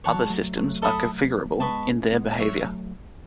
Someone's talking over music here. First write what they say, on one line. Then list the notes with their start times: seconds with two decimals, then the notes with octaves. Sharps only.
Other systems are configurable in their behavior.
0.04 E3 C#5 F#5 A5
0.14 F#3
0.22 G#3
0.30 F#3 A3
0.57 F#3 A3
0.82 A4 E5 B5 D#6
1.60 G#3 B3 B4 D#5 A5 C#6
1.87 A3 C#4
2.12 G#3 B3
2.38 F#3 A3 F#4 C#5 E5
2.64 F#3 A3